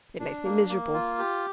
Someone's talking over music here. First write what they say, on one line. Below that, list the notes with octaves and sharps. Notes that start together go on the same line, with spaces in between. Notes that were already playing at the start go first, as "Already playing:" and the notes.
It makes me miserable.
D4
A#3
A#3
F4
G4